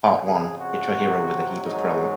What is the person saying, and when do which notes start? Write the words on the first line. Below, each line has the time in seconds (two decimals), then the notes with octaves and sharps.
Part one, hit your hero with a heap of trouble.
0.24 F2 C#3 F3 G#4
0.59 F#4
0.93 F2 C3 F#3
1.61 G#1 G#2 F#3 D#4